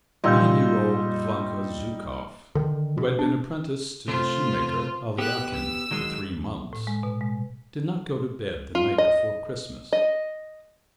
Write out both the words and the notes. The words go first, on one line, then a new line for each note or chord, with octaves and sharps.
Nine-year-old Vanka Zhukov, who had been apprentice to the shoemaker Aliakhin for three months, did not go to bed the night before Christmas.
A#2 G3 D#4 F4 D#5 C6 E6 G6
D3 D#3
B2
D4
C3 A3 F4 C5
B3 G4 E6 F#6
E6
D#3 F#3 G#3
A2
G#3
B2
G#3
F4
D#5
D#5